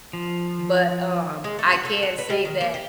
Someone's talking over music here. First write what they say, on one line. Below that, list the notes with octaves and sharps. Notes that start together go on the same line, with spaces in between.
but, um, I can say that,
F3
G#3
A3
F#4
A4
F#5
B4
G3
D#3
A#3
G4